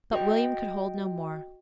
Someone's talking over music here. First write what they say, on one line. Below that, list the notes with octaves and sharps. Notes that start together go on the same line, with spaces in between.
But William could hold no more.
F#4 D#5 G5